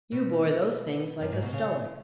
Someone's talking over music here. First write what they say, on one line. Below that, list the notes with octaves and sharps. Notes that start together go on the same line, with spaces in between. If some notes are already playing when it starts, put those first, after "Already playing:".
You bore those things like a stoic.
B2
F#2
G#2
B2
C#3